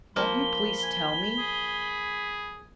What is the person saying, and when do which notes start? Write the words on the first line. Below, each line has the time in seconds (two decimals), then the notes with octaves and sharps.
"Won't you please tell me?"
0.16 F3 A#3 B5 G7
0.83 G#5
1.38 G#4